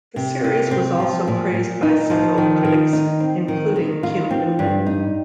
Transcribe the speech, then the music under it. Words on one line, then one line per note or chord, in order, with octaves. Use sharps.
The series was also praised by several critics, including Kim Newman.
C3
C3
C4
F3
A#2
A#2
D#4
F3
D#3
D#3
D#4
C4
D#3
D#3
F4
C4
G2
D#4